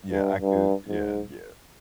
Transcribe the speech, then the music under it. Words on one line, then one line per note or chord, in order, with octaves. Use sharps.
Yeah, I could yeah, yeah.
G2
G2
G#2